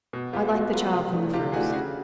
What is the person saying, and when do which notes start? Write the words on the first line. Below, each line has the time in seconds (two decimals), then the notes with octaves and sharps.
I liked the child from the first.
0.13 B2
0.32 F#3 F4 G4
0.37 B3
0.52 B2 F#4
0.73 F#3 F4
0.76 B3
0.93 C3 F4
1.13 E3 A3 D4
1.33 C3 F4 G4
1.52 E3 A3 D4 F#4 G#4
1.72 C#3 F#4 G#4